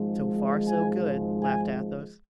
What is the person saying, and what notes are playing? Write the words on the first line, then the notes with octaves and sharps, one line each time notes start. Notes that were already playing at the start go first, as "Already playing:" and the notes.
"So far, so good," laughed Athos.
Already playing: G#1 G#2 F3 G#3
G#5
G#5